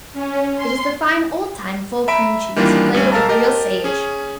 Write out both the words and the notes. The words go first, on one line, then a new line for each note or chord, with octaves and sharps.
It is the fine old-time full cream cheese, flavored with real sage.
C#4
C6
E5 A#5 B5 D7
D#3 E3 G3 A#3 D4 F4
D2 G3 C#4
B1 A4 A#4 F5 A5 A#5
G4 A#4 D#5 A5
C#4 G#4